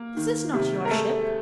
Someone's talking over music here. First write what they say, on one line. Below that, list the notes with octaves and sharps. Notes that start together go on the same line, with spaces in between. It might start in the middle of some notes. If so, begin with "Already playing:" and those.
This is not your ship.
Already playing: A#3
D#3
C3
A#4
G#3 A3 A4